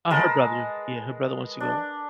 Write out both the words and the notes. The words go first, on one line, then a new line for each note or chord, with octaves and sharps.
Ah, her brother. Yeah, her brother wants to go.
G#3 A#4 B4 A5
D4